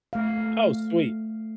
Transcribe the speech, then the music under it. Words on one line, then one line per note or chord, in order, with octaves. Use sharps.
Oh, sweet.
A3 F5